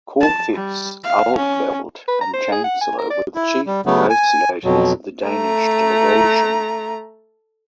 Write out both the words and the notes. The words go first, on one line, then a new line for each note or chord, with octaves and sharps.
Corfitz Ulfeldt and Chancellor were the chief negotiators of the Danish delegation.
A5
G3
F5
C#4
B4
A#5
C5
G#4
F#5
G#5
A#4
D5
E4
G3
C#3 F#3 A3 B3
G#5
F2 B2 F#3
A3 A#5